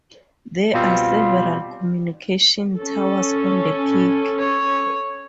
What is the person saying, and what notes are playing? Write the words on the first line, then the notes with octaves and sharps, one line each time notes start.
There are several communication towers on the peak.
B2 G3 C4 F4
C#4 A4
C#5